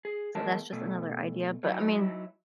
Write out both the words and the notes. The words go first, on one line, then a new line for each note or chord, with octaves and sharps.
So that's just another idea, but I mean
G#4
E2 A2 G#3 A#4 A5
B2 A3
F#3 D#4 E4